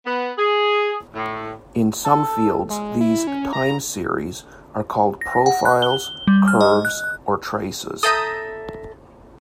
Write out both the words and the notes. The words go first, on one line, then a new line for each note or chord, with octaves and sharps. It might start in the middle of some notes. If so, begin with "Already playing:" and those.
In some fields these "time series" are called profiles, curves, or traces.
B3
G#4
A2
A4
G#3
E4
C#4
A#5
A#6
F#5
F#6
G7
G3
F6
D#5
F#6
A4 E5 A#5 D#6 G6 D#7